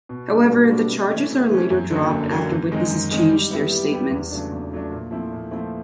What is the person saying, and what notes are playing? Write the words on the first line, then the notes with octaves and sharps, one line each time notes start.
However the charges are later dropped after witnesses changed their statements.
B2
G3 B3 D4 F#4
B2
G3 B3 D4 F#4
C3
E3 A3 C#4
C3
E3 A3 C#4
F#2
D3 F#3 A#3
F#2
D3 F#3 A#3
F#2
D#3 G#3 C4 D#4
F#2
D#3 G#3 C4 D#4
G3
B3 E4 G4
G3
B3 E4 G4
E2
C#3 F#3 A3 D4
E2
C#3 F#3 A3 D4
A#2
F3 A3 C4 E4
A#2
F3 A3 C4 E4